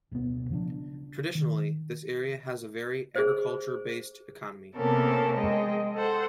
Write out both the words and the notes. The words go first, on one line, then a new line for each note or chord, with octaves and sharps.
Traditionally, this area has a very agriculture-based economy.
D1 B1 A2 B3
C#3 F3 C4 D4
D#3
G#4 C5
C3 A#3 B3 C#4 A4 A#4
G#3 D#5 G5
A4 C5 F#5